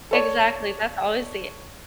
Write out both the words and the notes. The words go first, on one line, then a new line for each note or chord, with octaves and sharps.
Exactly, that's always the
A4 C#5 D5